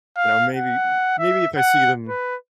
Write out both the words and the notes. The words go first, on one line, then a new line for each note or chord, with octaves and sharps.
you know, maybe maybe if I see them
F5
F#5
E5
F#5
B4